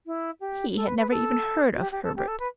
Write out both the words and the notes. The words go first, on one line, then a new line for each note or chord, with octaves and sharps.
He had never even heard of Herbert.
E4
G4
A4
B4
B4
A4
F#4
G4
G4
A4
G4
A4
B4